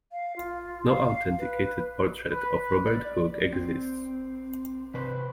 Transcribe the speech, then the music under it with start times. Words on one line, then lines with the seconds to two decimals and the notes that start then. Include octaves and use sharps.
No authenticated portrait of Robert Hooke exists.
0.12 F5
0.36 F4
0.89 F5
1.38 B4
2.32 B4
2.87 D5
3.53 C4
4.94 C3 B4 C5